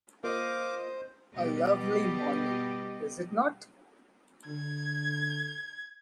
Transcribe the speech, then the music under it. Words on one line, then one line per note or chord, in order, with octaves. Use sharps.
A lovely morning, is it not?
A#3 F4 C5 D#5 F5 D6
B2 G3 B3 G4 D#5
D3 G#6